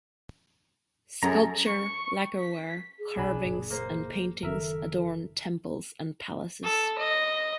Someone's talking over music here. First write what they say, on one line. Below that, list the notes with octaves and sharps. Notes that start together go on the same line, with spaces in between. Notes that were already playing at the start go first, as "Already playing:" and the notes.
Sculpture, lacquerware, carvings, and paintings adorn temples and palaces.
F#2 G#4 A4 A#5
C#6
B6
G#4
B1 C3 D4 G#5 B5
F#1 A#2
A#3 C5
F#1 D#3 A4 A#4 E5
A4
D#5